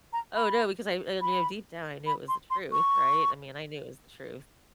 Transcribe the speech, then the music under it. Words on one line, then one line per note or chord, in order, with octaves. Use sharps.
Oh, no, because I I knew deep down, I knew it was the truth, right? I mean, I knew it was the truth.
A#5
B5
B5
B5
C6
C6
C#6